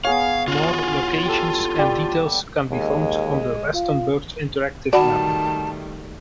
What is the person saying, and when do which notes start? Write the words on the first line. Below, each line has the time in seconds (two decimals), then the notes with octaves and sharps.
More locations and details can be found on the "Westonbirt Interactive Map".
0.05 B3 G#4 C#5 F5
0.48 F4 F#4
1.26 G4 A4
1.79 G3
2.71 D#2 G#3
3.74 F4
4.93 D#3 G3 A3 F#4 D5 F#5 A5 B5